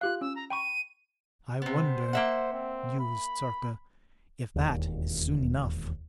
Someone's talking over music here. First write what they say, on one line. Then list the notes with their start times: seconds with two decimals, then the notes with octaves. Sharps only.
"I wonder," mused Sarka, "if that is soon enough!"
0.01 F4 G4 F5 F#6
0.21 C#4 E6
0.36 A#5
0.50 G5 B5 C#6 D#7
1.62 C3 B3 C5
2.13 A#3 E5 F#5
2.53 C4
3.00 B5
4.56 E1 D#2